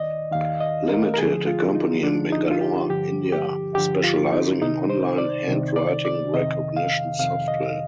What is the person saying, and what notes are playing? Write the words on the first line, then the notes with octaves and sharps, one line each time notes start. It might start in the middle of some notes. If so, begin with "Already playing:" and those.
Limited, a company in Bangalore, India specializing in online handwriting recognition software.
Already playing: D#2 D#3 D5 D#5
D#2 D#3 F5
D#5
A#4
A#4
D2 D3 F3 G#4
F4
D#4
D2 D3 F3 D4
D#4
F4
G4
G2 D3 F3 G4
G4
G2 D3 F3 G4
F4
D#4
C2 C3 D#3 D#4
C5
D5
C2 C3 D#3
D5
D5
F2 C3 D#3 D#5
F5
F2 C3 D#3 F5
D#5